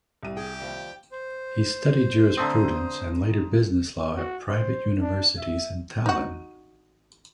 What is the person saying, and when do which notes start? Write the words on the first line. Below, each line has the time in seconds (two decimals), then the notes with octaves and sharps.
He studied jurisprudence and later business law at private universities in Tallinn.
0.23 C2 D#7
0.37 G4 G#4 G5
0.60 D#2 F3 G3
1.12 C5
2.37 D3 A3 C4 A#5 C6 D#6
4.17 F#4
4.49 C5
5.00 D4
5.38 E5
6.06 D#4 F#4